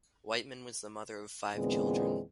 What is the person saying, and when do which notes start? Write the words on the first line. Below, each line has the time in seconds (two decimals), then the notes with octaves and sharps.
Wightman was the mother of five children.
1.56 E2 A#2 D3 G#3 B3 C4